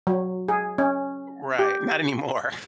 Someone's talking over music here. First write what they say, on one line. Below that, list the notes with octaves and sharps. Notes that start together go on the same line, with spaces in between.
Right. Not anymore.
F#3
G#4
C#4
G4